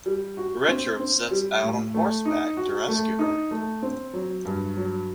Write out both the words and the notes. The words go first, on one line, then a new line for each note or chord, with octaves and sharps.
Richard sets out on horseback to rescue her.
G3
F#4
C4
C4
G3
A2
A3
D#4
F#4
A3
D#4
A3
C4
F#3
G2
F#3